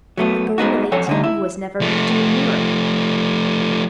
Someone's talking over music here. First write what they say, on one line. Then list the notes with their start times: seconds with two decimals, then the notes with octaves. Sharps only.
A girl of eighteen who has never looked in a mirror!
0.17 F#3 A3 B3
0.58 G#3 B3 D#4 F#4
0.92 F2 A4 C#5 F#5 G#5
1.07 D2 D3 D#4
1.24 E4
1.81 F3 A3